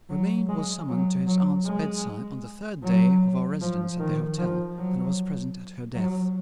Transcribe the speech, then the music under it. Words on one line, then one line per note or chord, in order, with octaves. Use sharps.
Romayne was summoned to his aunt's bedside on the third day of our residence at the hotel, and was present at her death.
F#3
G#3
F#3
F#3
G#3
F#3
F3
D#3
F3
F#3
F#3